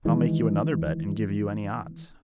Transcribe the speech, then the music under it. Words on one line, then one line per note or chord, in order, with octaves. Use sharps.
"And I'll make you another bet, and give you any odds."
D#3 E3 G#3